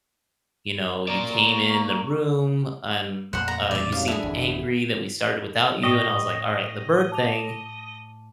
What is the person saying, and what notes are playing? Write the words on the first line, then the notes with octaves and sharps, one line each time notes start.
you know, you came in the room and, uh, you seemed angry that we started without you," and I was, like, "Alright, the bird thing,
A#3 D5 A#5 C#6
F2 A#2 A3 C5 F#5 F#6 C#7
A#5
A1 D5 E5
G#2 C3 F#3 F5
D4 E4 G#4 A4
G#1 F2 E3
A2 D5 D#5 G5 C#6
A5 D6 F7